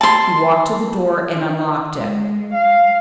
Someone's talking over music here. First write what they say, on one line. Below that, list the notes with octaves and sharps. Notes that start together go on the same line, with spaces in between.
He walked to the door and unlocked it.
A5 C6
G#3
F5